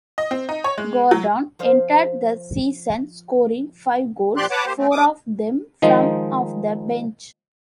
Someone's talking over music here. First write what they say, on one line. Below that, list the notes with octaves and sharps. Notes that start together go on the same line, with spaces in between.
Gordon ended the season scoring five goals, four of them from off the bench.
D#5
C4
D#4
C#5
G#3
F#3
F3 C5 F5
A#2 F3 G4 D5 C6 F#6
B4 C#5 F#5 A5 D6
A#3 G4 C5
A3 C4
C#3 D6 D#6
D#3 F3 G#3 D#4